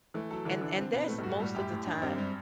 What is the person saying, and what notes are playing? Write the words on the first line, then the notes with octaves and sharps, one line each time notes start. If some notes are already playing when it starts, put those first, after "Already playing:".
and and that's, most of the time
E3 A3
F#3 A4
D3 E3
E3 D4
C4
B2 B4
A2 A3
G2
F#4
A2
A2 G3
F#2 G4
A2
D4
F#2
G2 C4
F#2
G3